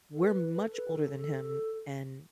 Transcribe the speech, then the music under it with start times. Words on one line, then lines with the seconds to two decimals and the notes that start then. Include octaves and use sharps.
we're much older than him, and
0.13 A4
0.21 B4
0.49 B4
0.61 A4
0.74 B4
0.90 A4
1.33 A4